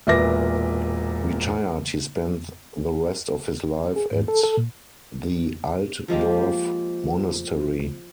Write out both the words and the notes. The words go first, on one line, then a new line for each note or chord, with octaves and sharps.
Retired, he spent the rest of his life at the Altdorf monastery.
E1 A#2 B4 E5 D6 A#6
G#4
G#2
A4
A4
A#2
F3 G#3 A#3 G4